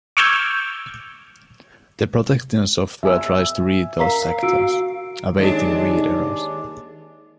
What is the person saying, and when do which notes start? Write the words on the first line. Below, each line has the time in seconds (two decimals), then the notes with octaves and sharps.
The protection software tries to read those sectors, awaiting read-errors.
0.17 C#6 D6 E6 F6 G6 G#6
3.03 E5 G#5 E6
3.99 A#4 F5 A#5 B6
4.43 F#4 E6 D7
5.37 D#2 G#3 D4